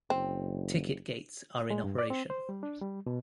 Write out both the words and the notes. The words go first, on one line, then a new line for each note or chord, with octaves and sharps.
Ticket gates are in operation.
F#1 C4
G#3
G2
D5
C4
C5
G3
D4
G3
B2